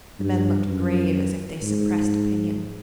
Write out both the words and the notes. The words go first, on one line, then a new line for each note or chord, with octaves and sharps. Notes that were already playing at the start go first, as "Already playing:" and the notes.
The men looked grave, as if they suppressed opinion.
G2
F#2
G#2